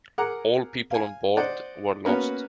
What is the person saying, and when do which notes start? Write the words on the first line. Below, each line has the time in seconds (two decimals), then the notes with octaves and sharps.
All people on board were lost.
0.18 G#4 A#4 F#5 A#5 D6
0.91 F5 G#5
1.37 C5 D5 D#5 F#5
2.05 A#3 B3 C#4 F#4 B4